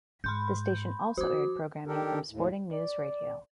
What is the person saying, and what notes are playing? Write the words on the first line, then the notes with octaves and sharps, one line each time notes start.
The station also aired programming from Sporting News Radio.
G#2 B5 C6 G6
F3 D#4 F#4 D6
D#3 D4 G4 A4 A#4
D#2 A2
D5